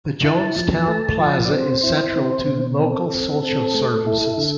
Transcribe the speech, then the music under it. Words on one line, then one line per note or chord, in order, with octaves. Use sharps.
The Jonestown Plaza is central to local social services.
E4 A5
F3
A3
F3
D5
C4 C5
E4
C4
B2
C4 A4
C4
C4
A3
E4
D3